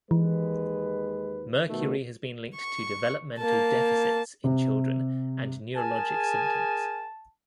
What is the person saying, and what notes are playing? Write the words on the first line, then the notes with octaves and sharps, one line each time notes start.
Mercury has been linked to developmental deficits in children and neurologic symptoms.
D#2 E3 G#3 B4
B2 D#3 A3
C#6
A#3 A5
C3
G#4 A#4 G#5 A5